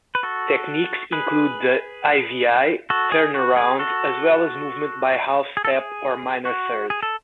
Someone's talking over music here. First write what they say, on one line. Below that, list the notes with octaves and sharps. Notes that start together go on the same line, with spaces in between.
Techniques include the ii-V-I turnaround, as well as movement by half-step or minor third.
B4
F#4 A4
G#4 B4
F#4 A4
G#4
F#4
G#4
F#4 A4
G#4
A4
G#4
F#4
G#4
A4